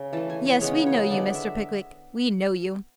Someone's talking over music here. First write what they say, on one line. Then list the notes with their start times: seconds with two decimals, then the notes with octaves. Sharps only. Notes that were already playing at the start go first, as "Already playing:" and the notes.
Yes; we know you, Mr. Pickwick; we know you.'
Already playing: C#3
0.13 E3 A3 A5
0.30 G#5
0.46 C#5
0.61 C#3 G#3 B3 C#5
0.87 C#5
1.10 D3 G#3 B3 D5
1.35 E5